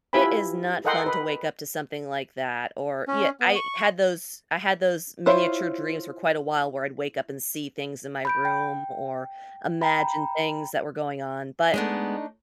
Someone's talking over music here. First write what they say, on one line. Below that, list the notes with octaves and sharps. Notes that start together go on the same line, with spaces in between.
It is not fun to wake up to something like that or ye I had those I had those miniature dreams for quite a while where I'd wake up and see things in my room or imagine things that were going on, but
E4 F4 G4 B4 G#5 B5
A4 A#4 D#5 F#5 G5 C6
B4
C#4
B3
C#6
E4 F4 C5 C#5 E5
B5 G6 D7
G5
G5 A#5 B5
G#3 A3 B3 D4 D#4